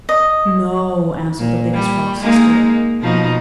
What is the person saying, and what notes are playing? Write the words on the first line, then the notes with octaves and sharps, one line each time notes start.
"No," answered the Biggest Frog's Sister.
D#5
A#2
G3
G#3 A#3 D#4
B2 F3 D#4